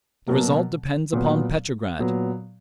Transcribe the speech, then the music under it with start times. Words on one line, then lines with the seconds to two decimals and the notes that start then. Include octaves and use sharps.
The result depends upon Petrograd.
0.28 B2 F#3 A#3
1.13 A#2 F#3 B3
1.99 A#2 F#3 B3